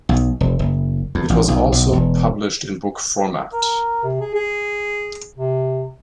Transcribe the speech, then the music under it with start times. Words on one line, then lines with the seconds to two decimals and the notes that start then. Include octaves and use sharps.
It was also published in book format.
0.09 B1
0.41 F1
0.59 F#1
1.15 E2
1.30 A1
1.48 B1
1.72 B1
1.92 E1
3.53 A#4
4.04 C3
4.20 G#4
4.35 G#4
5.37 C3